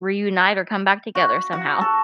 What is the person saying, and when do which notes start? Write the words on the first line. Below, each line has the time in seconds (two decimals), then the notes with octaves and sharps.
reunite or come back together somehow.
1.15 F#4
1.53 F#4
1.81 A4